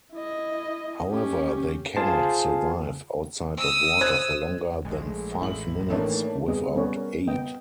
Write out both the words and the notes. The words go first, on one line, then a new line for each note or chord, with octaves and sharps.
However they cannot survive outside of water for longer than five minutes without aid.
E4 D#5
C#4 G4
F4 G#4 C5 A5
D#6 E6
C5 F#6 G#6
A#1 G#3 A3
A1 E4 F#7
A2 D#3 E3 A3 A#3 D4 C#5
G3 B3 C4 G4 G#4 D#5
G3 B3 C#4 B4 C#5 D5
A#4
B3 D#5 G5